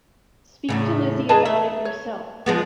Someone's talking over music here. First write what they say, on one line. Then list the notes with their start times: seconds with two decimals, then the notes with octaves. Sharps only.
Speak to Lizzy about it yourself.
0.69 E2 A2 C#3
1.29 E2 G#4 B4 D#5 A5 A#5
1.46 E5
1.85 C#5
2.46 F3 G#3 B3